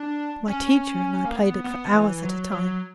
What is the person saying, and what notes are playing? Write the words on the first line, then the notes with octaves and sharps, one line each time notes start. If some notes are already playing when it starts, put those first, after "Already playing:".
My teacher and I played it for hours at a time.
Already playing: D4
C#4
A#3
B3
B3
E3
F#3
F#3